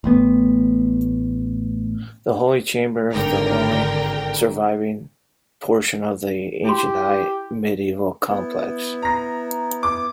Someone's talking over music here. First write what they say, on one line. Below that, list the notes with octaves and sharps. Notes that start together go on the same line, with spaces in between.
The Holy Chamber is the only surviving portion of the ancient high-medieval complex.
A1 A2 B3
G#1 D3 A#4 G5
E4 G4 C6
B3 E4
A#5 A#6
D6